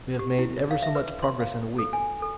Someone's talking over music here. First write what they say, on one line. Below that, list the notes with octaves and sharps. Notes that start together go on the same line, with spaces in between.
We have made ever so much progress in a week.
G4
E4
F5
E5
B4
C6
F5
A4
G#5
A4